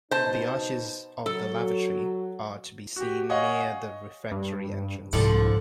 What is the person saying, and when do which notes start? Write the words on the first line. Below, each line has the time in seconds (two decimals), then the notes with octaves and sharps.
The arches of the lavatory are to be seen near the refectory entrance.
0.11 B2 D#4 C5 A5
1.26 F#3 A4
2.96 F#4 G4
3.29 C#5 D#5 F5 F#5 G#5 C#6
4.31 G2
5.13 C2 G#2 D3 F3 A4